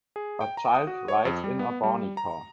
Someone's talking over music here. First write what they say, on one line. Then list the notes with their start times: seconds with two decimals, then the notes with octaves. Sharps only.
A child rides in a Barney car.
0.16 G#4
0.41 G5
0.57 A#5
0.74 D#6
0.87 F#4
1.08 C#5
1.25 F2
1.44 G3
1.59 B3
1.83 G3
2.17 A#5